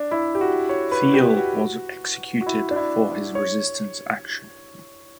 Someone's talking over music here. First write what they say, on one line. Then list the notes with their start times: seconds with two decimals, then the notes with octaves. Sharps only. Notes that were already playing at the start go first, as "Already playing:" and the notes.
Thiel was executed for his resistance action.
Already playing: D4
0.11 E4
0.35 G4
0.41 F#4
0.69 C#5
0.91 B4
1.14 G4
1.37 F#4
2.41 F#4
2.46 E4
2.71 D4
2.76 E4
3.35 C#5